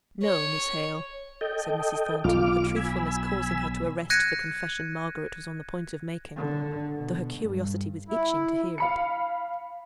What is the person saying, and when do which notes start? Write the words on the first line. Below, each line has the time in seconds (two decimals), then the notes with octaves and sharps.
'No, Miss Hale,' said Mrs. Thornton, her truthfulness causing her to arrest the confession Margaret was on the point of making, though her curiosity was itching to hear it.
0.24 C#5
1.41 A4 D#5 G5
2.24 B1 F4 D6 F6
2.76 G#5 B5 E6
4.10 F#6 G#6 A#6 C#7 D#7
6.36 D3
6.96 B2
7.38 G2
8.08 E4
8.78 F5 B5 C#7